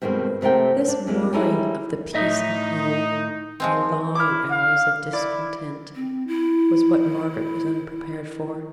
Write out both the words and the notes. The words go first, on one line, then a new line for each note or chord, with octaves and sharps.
This marring of the peace of home, by long hours of discontent, was what Margaret was unprepared for.
G2 B2 D#3 G#3 C4
D#2 C3 A3 A#4 G5
D4 D5
F2 G#3 A#3
G3 C#4 D#4 E4 G#4 A4
A2 D#4 D#5 E5
F3 G#3 C4
E4 D6 F6
F5
E4 D5
C4
E4